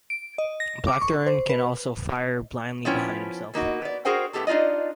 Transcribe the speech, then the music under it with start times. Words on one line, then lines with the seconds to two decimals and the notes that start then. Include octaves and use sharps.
Blackthorne can also fire blindly behind himself.
0.10 D7
0.38 D#5
0.60 A#6
0.87 D6
1.01 C#6
1.26 C5
1.49 B4
2.85 F3 B3 C#4 E4 C#5 G5
3.54 B2 A#3 D#4 F#4
3.82 B3 D5
4.05 F#4 G#4 A#4 C5 F#5 G5
4.33 A2 B3 C4 G4 A4 A5
4.47 D4 D#4 F4 D5 D#5